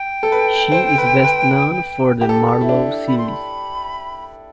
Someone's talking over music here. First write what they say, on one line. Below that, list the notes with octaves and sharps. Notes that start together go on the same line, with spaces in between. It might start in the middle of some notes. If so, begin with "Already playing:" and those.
She is best known for the Marlow series.
Already playing: G5
A4
B4
C5
B4
B4
G4
A4
E4
D4
B5
C6
B5